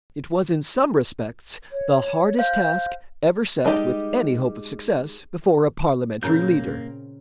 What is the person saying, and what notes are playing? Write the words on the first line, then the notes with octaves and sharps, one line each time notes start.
It was in some respects the hardest task ever set with any hope of success before a parliamentary leader.
C#5
C5 F5 G6
G3 G#3 D#4 G4
A#2 C#3 A#3 C4 A#4 F5 G6